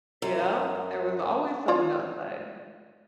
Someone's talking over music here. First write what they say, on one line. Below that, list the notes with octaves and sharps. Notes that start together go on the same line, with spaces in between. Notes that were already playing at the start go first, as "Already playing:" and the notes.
Yeah, there was always someone outside.
F#2
F4 C#5 D5